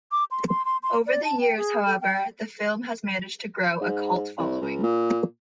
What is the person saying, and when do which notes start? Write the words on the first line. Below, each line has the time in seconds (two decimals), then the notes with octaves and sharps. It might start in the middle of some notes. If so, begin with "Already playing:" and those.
Over the years however, the film has managed to grow a cult following.
0.12 D6
0.31 C6
0.48 C6
0.65 C6
0.83 C6
1.07 D5
1.24 A5
1.41 G5
1.57 G#4
1.87 A4
2.01 G5
2.14 G5
3.81 G#2
4.38 C2
4.61 C#2
4.83 A#2